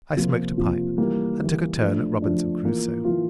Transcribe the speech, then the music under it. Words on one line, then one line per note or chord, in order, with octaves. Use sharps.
I smoked a pipe and took a turn at ROBINSON CRUSOE.
C3 F3 A#3 F4
C3 F3 A#3 F4
E3 G3 A#3
E3 G3 A#3
F3 A3 D4
F3 A3 D4
E3 A#3 F4
E3 A#3 F4